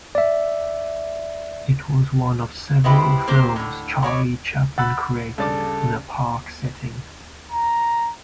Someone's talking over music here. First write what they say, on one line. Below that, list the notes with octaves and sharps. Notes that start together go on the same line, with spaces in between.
It was one of several films Charlie Chaplin created in a park setting.
D5 E5
G#3 B3 C4 E4 G4 B4
A#3 C4 G4 C5
A2 D3
B2 C#5 D5
F#5 B5 E6 A6
G2 C#3 A4 D5 D6 A6
A#5